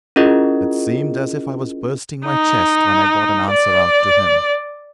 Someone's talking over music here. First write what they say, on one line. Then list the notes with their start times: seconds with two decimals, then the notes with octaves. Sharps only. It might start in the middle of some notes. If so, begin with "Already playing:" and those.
It seemed as if I was bursting my chest when I got an answer out to him.
0.16 C#4 E4 F4 G#4 A#4 D#5
2.26 D#4
3.51 D5